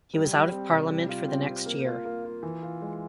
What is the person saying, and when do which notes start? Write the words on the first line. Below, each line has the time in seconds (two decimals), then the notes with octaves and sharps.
He was out of Parliament for the next year.
0.14 G3
0.33 G3
0.51 C4
0.71 C3
0.90 G3
1.09 F4
1.28 C4
1.47 C4
1.66 A#3
1.85 F4
2.05 A#3
2.24 F4
2.43 E3
2.62 F4
2.81 G#3